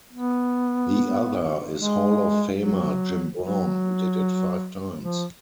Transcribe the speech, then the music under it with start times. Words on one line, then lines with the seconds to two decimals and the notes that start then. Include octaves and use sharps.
The other is Hall of Famer Jim Brown, who did it five times.
0.13 B3
1.77 G#3
2.57 F#3
3.38 F#3
5.01 F3